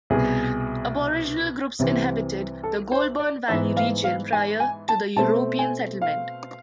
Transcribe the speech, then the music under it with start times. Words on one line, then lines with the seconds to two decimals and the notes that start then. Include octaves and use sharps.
Aboriginal groups inhabited the Goulburn Valley region prior to European settlement.
0.10 C2 B2 B3 G#4
1.79 C2 C3 E3
2.63 A4
2.92 C5
3.20 D5
3.48 G#2 E3 B3 E5
3.77 F5
4.04 F5
4.33 G#5
4.60 G#5
4.89 A5
5.16 B2 A3 C4 A5
5.59 G#5
6.02 F5